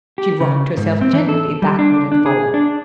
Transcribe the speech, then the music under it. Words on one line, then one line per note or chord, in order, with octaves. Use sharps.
She rocked herself gently backward and forward.
G4
C#3
G#2
C4
E3
A4
G3
D4
D4
G#4
D4